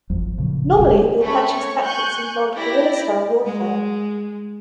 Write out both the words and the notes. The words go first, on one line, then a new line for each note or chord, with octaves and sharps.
Normally, the Apaches' tactics involved guerrilla-style warfare.
G#1 F2 F3 F#3
A1 A#2 C#3 F3
D#1 B2 D3 G#3
A3 C#4 B5 C#6
C#5 C#6
G#5 C#6 F#6 G6
E4 G4 D5 A#6
G#3